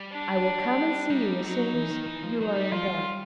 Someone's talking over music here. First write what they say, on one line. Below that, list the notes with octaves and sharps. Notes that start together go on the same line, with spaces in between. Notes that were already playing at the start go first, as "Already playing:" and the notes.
I will come and see you as soon as you are in bed.
Already playing: G3
D4
G3 D#4
F#3
E3
D#3
E3
F3
F#3 D#4
G3
F3 F4
G3